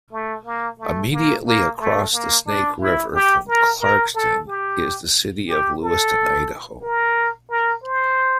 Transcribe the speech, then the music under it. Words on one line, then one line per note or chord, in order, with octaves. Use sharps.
Immediately across the Snake River from Clarkston is the city of Lewiston, Idaho.
A3
A#3
A3
A#3
A#3
A3
A#3
D4
E4
G4
A#4
A#4
A4
G4
G4
A4
A#4
A#4
C5